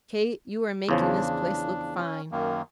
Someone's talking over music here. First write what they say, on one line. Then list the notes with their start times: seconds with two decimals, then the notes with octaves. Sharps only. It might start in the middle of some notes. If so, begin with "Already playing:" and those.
Kate, you are making this place look fine.
0.89 E2 C#3 F3
1.00 D4
1.97 C#4
2.31 F#2 D#3 A#3